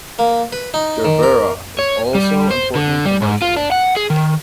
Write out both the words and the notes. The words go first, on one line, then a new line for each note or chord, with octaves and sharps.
"Gerbera" is also important commercially.
A#3
B4
D#4
D#3
A#4
C#5
G3
C5
D3
G3
G#2
F4
D4
F#5
G#4
D#3